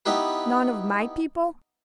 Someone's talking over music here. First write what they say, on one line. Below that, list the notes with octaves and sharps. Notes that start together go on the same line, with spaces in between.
'None of my people?
B3 D#4 E4 G4 B4